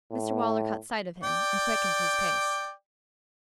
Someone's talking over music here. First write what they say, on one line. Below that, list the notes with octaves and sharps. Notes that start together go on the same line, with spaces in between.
Mr Waller caught sight of him and quickened his pace.
A2
D5 G5